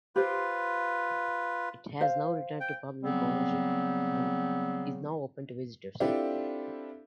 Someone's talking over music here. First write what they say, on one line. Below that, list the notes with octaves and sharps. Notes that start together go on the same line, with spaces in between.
It has now returned to public ownership and is now open to visitors.
F4 G4 B4 C5
C5 F5
G5
C#3 F#3 G3 B3 C4
C4 D4 E4 F4 G4 A4